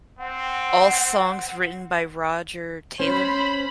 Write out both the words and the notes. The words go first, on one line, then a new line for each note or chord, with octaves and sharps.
All songs written by Roger Taylor.
C4 F#5
C#4 C5 B5